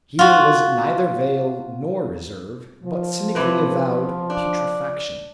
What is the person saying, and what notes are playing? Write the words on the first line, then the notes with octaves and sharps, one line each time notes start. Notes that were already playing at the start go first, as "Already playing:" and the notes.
Here was neither veil nor reserve, but cynically avowed putrefaction.
F4 F#4
F3
C3 E3 B4
D4